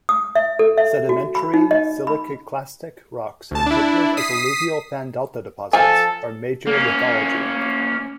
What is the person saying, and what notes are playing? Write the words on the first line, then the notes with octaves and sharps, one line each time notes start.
Sedimentary siliciclastic rocks, interpreted as alluvial fan-delta deposits, are the major lithology.
D#6
E5
A4
E5
F#4
B5
D#4
D#5
B5
D2 A5
D4 E4
D#6 B6 C7
F3 A4 G#5
A#3 C#4